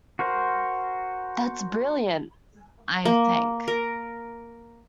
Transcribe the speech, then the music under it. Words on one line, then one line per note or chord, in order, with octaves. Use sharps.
That's brilliant, I think.
F#4 A#4 C5
A#3
A#4